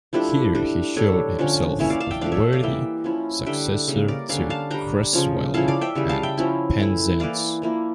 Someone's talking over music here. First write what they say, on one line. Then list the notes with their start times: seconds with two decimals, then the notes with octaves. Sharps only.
Here he showed himself a worthy successor to Cresswell and Penzance.
0.13 F3 A3 D4 E4 G4
0.55 G3 D4
0.96 G3 D4 A4 C#5
1.39 D3 F3 C#4
1.79 E3 A#3 C#4 C#5 E5
1.90 D5 F5
2.00 F5 A5
2.11 E5 G5
2.21 F3 A3 D4 D5 F5
2.32 C#5 E5
2.52 D5 F5
2.63 E3 G3 A#3 E5 G5
3.04 F3 C#4 E4
3.46 D3 G3 D4 E5 G5
3.88 C#3 G3 A#3
4.08 A#4 D5
4.29 D3 G3 C#4 D5 F5
4.50 F5 A5
4.70 G3 D4 G5 A#5
5.13 C#3 F3 C#4
5.54 C#3 F3 C#4 E4 F5 A5
5.68 D5 F5
5.81 E5 G5
5.95 C#3 E3 G3
6.09 F5 A5
6.23 E5 G5
6.37 F3 C#4 E4
6.78 E3 A3 E4
7.19 E3 A#3 E4 D5 F5
7.62 F3 A#3 E4